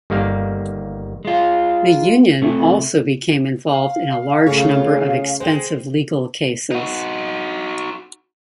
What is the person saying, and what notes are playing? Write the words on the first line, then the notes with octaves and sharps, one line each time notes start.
The union also became involved in a large number of expensive legal cases.
G1 D#3 G3 A#3 F5
G#3 F4
C3 A3
F5
C#3 A3 C#4 F4 G#4 C#5 F5
G#3 C5 G5
D#4 F#4